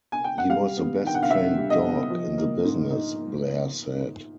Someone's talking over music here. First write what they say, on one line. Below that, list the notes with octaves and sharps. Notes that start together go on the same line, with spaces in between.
He was the best-trained dog in the business, Blair said.
G#5
G5
F#5
G3 F5
B3
D#3 G5
F#5
F5
D4 E5
G3
D#5
B3
F3
A#3
G#2
D#4